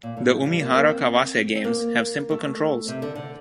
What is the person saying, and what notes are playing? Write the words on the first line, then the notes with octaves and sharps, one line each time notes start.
The Umihara Kawase games have simple controls.
A#2
A2
F3
G3
A#3
A#3
C4
C4
A#3
A3
C3
D3
D3